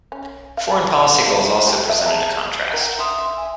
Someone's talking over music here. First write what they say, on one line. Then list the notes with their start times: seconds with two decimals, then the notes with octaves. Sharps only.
Foreign policy goals also presented a contrast.
0.12 C#4
0.57 F5
1.22 A3 A4 F5
1.67 F#3 G4 A4
1.89 F#4 D#5 E5
2.06 G#4 A5 A#5
2.73 A#4 F#5 G5
2.99 E5 F5 C6 D#6
3.18 E5
3.37 G#5